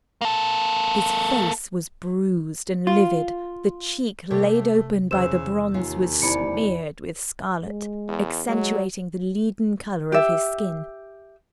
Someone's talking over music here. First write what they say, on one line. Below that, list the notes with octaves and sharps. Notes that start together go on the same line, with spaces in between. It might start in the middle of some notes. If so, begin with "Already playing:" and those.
His face was bruised and livid; the cheek laid open by the bronze was smeared with scarlet, accentuating the leaden colour of his skin.
A#3 A4
F4
C3 A3 A#3 G4 C#5
E2 C#3 C5 E6 E7
D#2 C#4 F4
C3 E4 D5 G#5 B5 C#7
G#3
E2
F#3 G#3
G4 E5